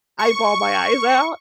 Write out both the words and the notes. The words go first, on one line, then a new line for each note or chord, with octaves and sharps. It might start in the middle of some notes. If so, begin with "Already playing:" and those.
I bawl my eyes out.
C#6